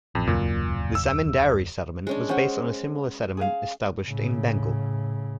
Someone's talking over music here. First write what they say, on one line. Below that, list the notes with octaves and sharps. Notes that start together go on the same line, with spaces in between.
The zamindari settlement was based on a similar settlement established in Bengal.
A1 F2
D#1 C#2 F#2 A#2
E6
G#3 C#4 D4
G#3 C#4 C5 F#5
G#4 F5
A2 C#3